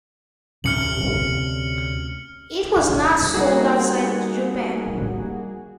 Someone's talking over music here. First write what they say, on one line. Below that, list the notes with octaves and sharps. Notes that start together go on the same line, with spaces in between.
It was not sold outside Japan.
D2 C3 C#4 F6 C#7 F#7
G3 A#3 D#4 F#4 G#4